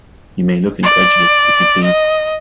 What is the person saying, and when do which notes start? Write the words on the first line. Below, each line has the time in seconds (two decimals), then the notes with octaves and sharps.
You may look incredulous, if you please!
0.83 D5
1.83 D#5